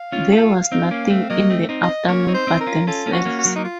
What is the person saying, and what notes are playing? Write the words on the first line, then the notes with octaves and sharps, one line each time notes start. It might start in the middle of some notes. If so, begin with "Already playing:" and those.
There was nothing in the afternoon but themselves.
Already playing: F5
C#4 F4
F4 A4
C4 D#4
A#3 C#4
A3 C4
F#3 A#3 D#5
A3 C4
C4 D#4
D#5
A#3 C#4 C#5
C4 D#4
C5
C4 D#4
A#4
C#4 F4
C#4 F4 A4
A#3 C#4
F#4
A#3 C#4
F#4
F#3 A#3
A#3 D#4
F4